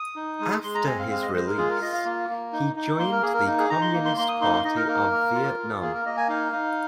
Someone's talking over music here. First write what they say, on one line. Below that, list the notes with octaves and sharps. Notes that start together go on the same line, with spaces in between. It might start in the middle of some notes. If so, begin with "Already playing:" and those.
After his release, he joined the Communist Party of Vietnam.
Already playing: D#6
D#4
G#3
G#3 C6
A#5
C4 G#5
F5
G#3 F5
D#5
G#3 C5
A#4
F4 G#4
A#4
F4 D#5
F5
A#3
A#3
D#4
D#4
A#3 C6
A#4
A#3 G#4
A#4
D#4
G#4
D#4 A#5
C6
A#3
C6
A#3 C6
D#6
D#4 C6
C6
D#4 D#5
A#4
A#3 A#4
A#3
F4
F4
A#3 G#4
A#4
A#3 D#5
G#5
D#4 F5
D#4